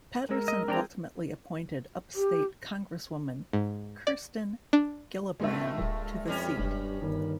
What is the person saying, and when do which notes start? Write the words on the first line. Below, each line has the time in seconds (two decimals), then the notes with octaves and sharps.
Paterson ultimately appointed upstate Congresswoman Kirsten Gillibrand to the seat.
0.29 G#3 G#4 A#4 E6
0.48 D#5
0.68 F3 C4 D4 G#4 D5 G5 A#5
2.15 G4
3.53 G#2
4.07 D5
4.73 D4
5.40 G2 A#2 G#3 A3 E5
5.78 D1
6.26 F2 B2 G3 C#4
6.57 F1 G2
7.02 G1 D#3